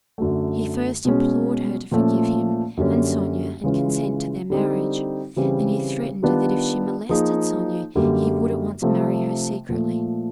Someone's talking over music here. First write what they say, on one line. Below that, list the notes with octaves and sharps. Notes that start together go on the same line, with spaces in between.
He first implored her to forgive him and Sonya and consent to their marriage, then he threatened that if she molested Sonya he would at once marry her secretly.
F#2 D3 F#3 A3
B2 G#3 C#4
A#2 F3 A3 C#4
F#2 D3 G3 A#3 C#4
C#3 E3 G#3 C#4 F4
D3 G3 C4 D#4
C#3 E3 G3 C4
D#3 G3 B3 D4 F4
F3 A#3 D#4 G#4
F#2 D3 G3 A#3
C3 F3 A3 C4
A#2 F3 A3